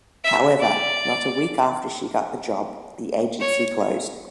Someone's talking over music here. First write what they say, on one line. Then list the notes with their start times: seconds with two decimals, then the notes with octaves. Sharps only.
However, not a week after she got the job, the agency closed.
0.24 E5
0.59 D5
3.40 C#5